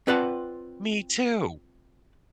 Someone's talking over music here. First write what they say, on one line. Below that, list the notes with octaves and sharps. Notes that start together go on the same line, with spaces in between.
Me too.
C4 F4 B4 D5 F#5 A5